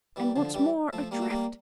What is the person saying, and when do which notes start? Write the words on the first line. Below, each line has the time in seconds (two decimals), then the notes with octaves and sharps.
And what's more,--adrift.
0.16 E3 G3
0.36 D3 F3
0.54 E3 G3
0.93 F3 A3
1.11 G3 A#3
1.22 A3
1.30 G3 A#3